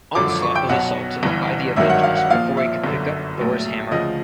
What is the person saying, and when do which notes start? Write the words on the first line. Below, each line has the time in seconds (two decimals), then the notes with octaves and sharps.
Onslaught was assaulted by the Avengers before he could pick up Thor's hammer.
0.15 G#1 F#2 D3 F3 D6
0.29 D6
0.42 C#6
0.55 G5
0.69 B1 B2 F#3 F#5
1.23 G1 G2 E3
1.76 G#1 G2 D#3 F#3 E5
1.90 F#5
2.03 F5
2.17 F#5
2.30 A#1 A#2 F3 F5
2.57 E5
2.84 G1 F#2 D3
3.38 A#1 A2 F#3
3.91 D2 C#3 F3 D#5